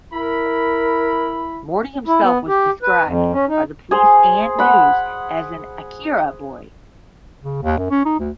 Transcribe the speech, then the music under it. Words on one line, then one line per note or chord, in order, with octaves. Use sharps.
Morty himself was described by the police and news as an ""Akira" boy".
E4 A#4 B5
E4
B3
G4
B4
F2
C#4
D#4
G#4 C5
F#5 B5
C#3
D#2
F#2
C#4
D#4
D2